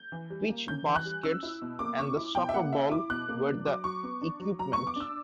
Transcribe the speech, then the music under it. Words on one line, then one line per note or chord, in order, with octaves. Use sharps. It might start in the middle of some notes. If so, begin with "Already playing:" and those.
Peach baskets and the soccer ball were the equipment.
Already playing: G6
E3
G3
A#3
C#4 G6
E3
F#6
G3
C#4 E6
E4
B2
A#3 D6
C#4 C#6
E4
B2 G5
E5
A#3 F#5
C#4 E5
E4 D6
B2 F#6
A#3
D4
F#3 D6
F#3 C#6
B3
D4
F#3
F#3 A#5
B3 C#6
D6
D4 E6